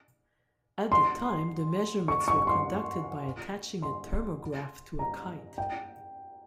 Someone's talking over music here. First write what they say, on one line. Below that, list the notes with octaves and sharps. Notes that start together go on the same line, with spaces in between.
At the time the measurements were conducted by attaching a thermograph to a kite.
C6
C#6
C#6
C6
C6
A#5
G5